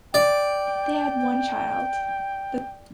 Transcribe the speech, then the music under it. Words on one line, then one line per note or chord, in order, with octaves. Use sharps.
They had one child.
D5 G5